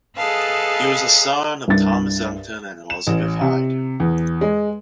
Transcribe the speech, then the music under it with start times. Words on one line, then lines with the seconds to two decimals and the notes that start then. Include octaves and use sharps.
He was the son of Thomas Unton and Elizabeth Hyde.
0.17 G#4 A4 B4 D#5 F5 A5
1.68 C2 G2 A6
2.90 E7
3.07 A1
3.41 C3
4.00 E2
4.41 G#3